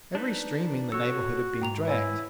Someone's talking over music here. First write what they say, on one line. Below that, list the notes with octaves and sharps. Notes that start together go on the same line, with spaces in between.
Every stream in the neighbourhood had been dragged.
D4 D#4 B4
F#4 A4 C#5 E6
G#2 G5 A#5 F7
E4 B4 C#5 G#5